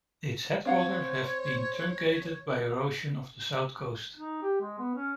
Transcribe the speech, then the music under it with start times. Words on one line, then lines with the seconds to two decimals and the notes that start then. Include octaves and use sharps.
Its headwaters have been truncated by erosion of the south coast.
0.65 C4 C5 C#5 F5 F#5
4.17 D#4
4.42 G4
4.60 G#3
4.79 B3
4.95 C#4